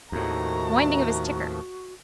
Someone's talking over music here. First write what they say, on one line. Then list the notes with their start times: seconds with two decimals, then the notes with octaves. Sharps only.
Winding of his ticker.
0.12 D#2 A2 D#3 F3 A3 F#4 A#5